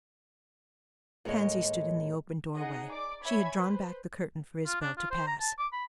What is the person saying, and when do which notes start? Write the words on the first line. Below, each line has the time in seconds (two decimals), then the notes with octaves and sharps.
Pansy stood in the open doorway; she had drawn back the curtain for Isabel to pass.
1.25 D#2 A2 G#3 C#5 D#5
2.55 D#4 G#4 D#5 F#5
2.91 D5 D6
3.22 C#5 E5 G#5 B5 G#6
3.58 B4 C5
4.66 F4
4.81 D4
4.97 F4
5.11 C5
5.27 A#5
5.40 A5
5.58 D6
5.73 B5